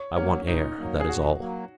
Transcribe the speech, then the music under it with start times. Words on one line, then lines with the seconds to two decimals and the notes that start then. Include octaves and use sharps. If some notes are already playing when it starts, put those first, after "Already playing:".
"I want air, that is all."
Already playing: C#5
0.16 F#3 A#3 C#4
0.47 A#2 D#4
0.78 F#3 A#3
1.00 G#4
1.09 A#2 F#4
1.40 F#3 A#3